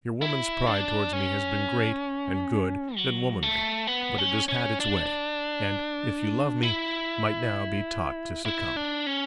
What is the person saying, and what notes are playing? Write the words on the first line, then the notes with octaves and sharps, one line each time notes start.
Your woman's pride towards me has been great and good and womanly; but it has had its way; and, if you love me, might now be taught to succumb.
E4
D4
C#4
F#3
A3
B3
C#4
C#4
D4
E4
E4
D4
C#4